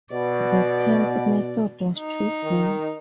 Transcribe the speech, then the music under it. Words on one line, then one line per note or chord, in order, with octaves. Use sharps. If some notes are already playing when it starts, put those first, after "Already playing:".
The tank method was chosen.
B2 D5
D#4
D#3